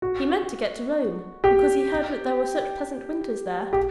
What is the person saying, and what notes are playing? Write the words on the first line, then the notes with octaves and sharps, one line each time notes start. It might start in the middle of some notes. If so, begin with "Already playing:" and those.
He meant to get to Rome, because he heard that there were such pleasant winters there.
F#4
G4
G4